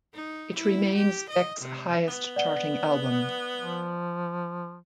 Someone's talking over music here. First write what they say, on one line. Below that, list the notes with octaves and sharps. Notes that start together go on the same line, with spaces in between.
It remains Beck's highest-charting album.
D#4
E4
G4
D#5
C3
B3
D5 F#5 G7
F3